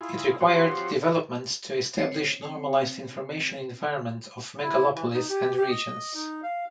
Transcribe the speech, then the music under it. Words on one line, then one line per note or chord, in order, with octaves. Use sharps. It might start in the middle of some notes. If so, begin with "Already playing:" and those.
It required developments to establish normalized information environment of megapolis and regions.
E4 F4 G#4
F3 C4 C#4 F#4 G4 C5
C4 C#4
E4
E3
D#4
G4
G4
D#5
D#4
F5